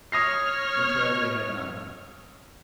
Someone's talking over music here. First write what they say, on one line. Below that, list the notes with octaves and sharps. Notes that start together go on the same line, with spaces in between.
Entrails they had none.
C#5 D#6 F6 A#6 C7